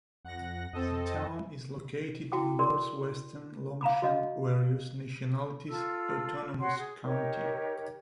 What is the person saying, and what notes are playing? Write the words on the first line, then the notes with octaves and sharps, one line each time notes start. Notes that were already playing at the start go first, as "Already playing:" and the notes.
The town is located in northwestern Longsheng Various Nationalities Autonomous County.
F2 F#5 A#6
F2 C4 A4 D#5
E4 F#4 G5 D6
G#4 A#4 D5 C6
F5 A#5 B5 D6
F#4 D#5 F5
F4 A4 E6
F#4 C#5 F#5 C6
G#4
D#4 G4 A#4 C#5